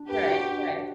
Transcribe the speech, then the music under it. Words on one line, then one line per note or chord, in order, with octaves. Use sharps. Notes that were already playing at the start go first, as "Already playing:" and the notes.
Right, right.
Already playing: D4
G4 B4
F#4
D4
D4